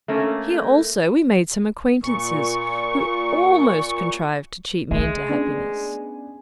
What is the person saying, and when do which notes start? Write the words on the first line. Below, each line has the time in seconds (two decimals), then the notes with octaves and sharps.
Here also we made some acquaintances, who almost contrived to cheat me into happiness.
0.08 A3 A#3 C#4
2.04 A#2 C#6
4.91 G#3 A3 E5
5.29 B3 C#4 D4